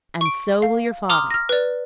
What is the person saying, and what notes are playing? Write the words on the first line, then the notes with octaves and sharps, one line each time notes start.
"And so will your father."
C#6 D7
F5
A#5 C6 D6 D#6 F6
F6 A#6
B4 D5